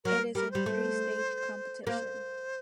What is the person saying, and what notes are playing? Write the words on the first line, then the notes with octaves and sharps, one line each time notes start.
It is a three-stage competition.
F#3 A#4
G3 A#4
G3 C5
A3
D5
A#3 C5